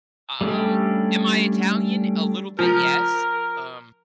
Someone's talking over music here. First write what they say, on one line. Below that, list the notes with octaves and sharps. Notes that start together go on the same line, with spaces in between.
um, am I Italian? A little bit, yes, um
G3 A3 C#4 D4 G4
F3 A#4